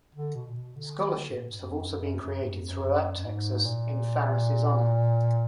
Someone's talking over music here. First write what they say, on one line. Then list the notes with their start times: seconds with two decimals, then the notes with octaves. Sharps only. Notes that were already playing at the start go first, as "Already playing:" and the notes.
Scholarships have also been created throughout Texas in Farris’ honor.
0.15 D3
0.35 B2
0.48 A#2
0.56 B2
0.76 D3
0.98 D#3
1.18 D3
1.30 G#2
1.38 A#2
1.50 G#2
1.60 F#2
1.70 F2
1.80 F#2
2.01 F#2
2.21 F#2
2.42 G#2
2.51 F#2
2.59 F2
2.68 F#2
2.82 F#2
3.17 F#2
3.25 G#2
3.65 A#2